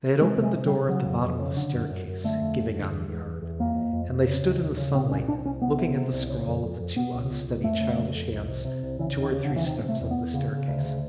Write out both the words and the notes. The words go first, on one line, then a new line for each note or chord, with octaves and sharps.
They had opened the door at the bottom of the staircase giving on the yard, and they stood in the sunlight, looking at the scrawl of the two unsteady childish hands two or three steps up the staircase.
C3 G#3
C3
G#3
C3
G3
C3
C#3 F#3
F2
F2
C#3
D3
F#2
F#2
F#2
D3 A3
F2
F2
D3
E2
E2
E2
E2
F2 A#3
F2
F2
F2
C#3
D#2
D#2
C#3
A#2 C4
C2 C#4
C2 D4
C2 C#4
C2 B3
C3
C3
C2
C#3
F2
F2
F2
B2 B3
C#2
C#2
C#2
F2 A3
C#3
F2
F2
C2
C3
C3
C2
C#3 E3
D#2
D#3
C#3
D3
D#2
E3
C3 D#3
C3
A3
E2
B3
E2
C#3
C#3
D2
C#3